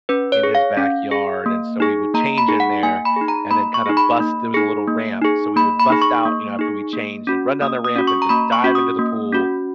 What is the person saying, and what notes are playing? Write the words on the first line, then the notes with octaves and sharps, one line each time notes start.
in his backyard, and so we would change in there, and then kinda bust there was a little ramp, so we would bust out, you know, after we changed, and run down the ramp, and just dive into the pool,
C#4 B4
C#5
G#4
F5
C#4
G#4
A#3
D#4 G#4
A#3 A#5
B5
D#4 G#4
F#5
A#3 G#5
B5
D#4 G#4
A#5
A#3 B5
C#6
D#4 G#4
B5
A#3
D#4 G#4
A#3
D#4 G#4
A#3 B5
B5
D#4 G#4
C#6
A#3
D#4 G#4
A#3
C#4 F#4
A#3 D#6
D#6
C#4 F#4
C#6
A#5
A#3 B5
C#6
C#4 F#4
D#6
A#3
C#4 F#4